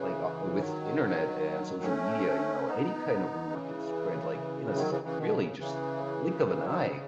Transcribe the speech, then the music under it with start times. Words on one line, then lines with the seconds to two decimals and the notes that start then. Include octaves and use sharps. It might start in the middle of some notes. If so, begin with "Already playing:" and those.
like o with Internet and social media, you know, any kind of rumor can spread, like, in a s really just a blink of an eye.
Already playing: C#3 E3
0.57 D#3 F#3
1.83 A3 C#4
2.66 B3 D#4
3.50 C#3 E3
4.75 D#3 F#3
4.90 C#3 E3
5.04 C#3 E3
5.17 B2 D#3
5.39 C#3
5.59 C#3 E3
6.43 C#3 E3
6.64 D#3 F#3
6.85 C#3